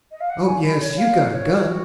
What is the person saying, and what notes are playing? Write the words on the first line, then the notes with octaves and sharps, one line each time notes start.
Oh, yes, you got a gun.
D#5
F5
F#5
G#5
B5
C#5
F5
C#5
F#4